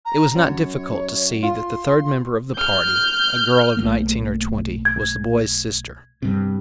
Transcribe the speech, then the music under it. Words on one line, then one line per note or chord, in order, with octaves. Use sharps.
It was not difficult to see that the third member of the party, a girl of nineteen or twenty, was the boy's sister.
A#5
F#2 C#5
F4 C6
F6 G6
B1 A3 A#3
G#6
G2 C3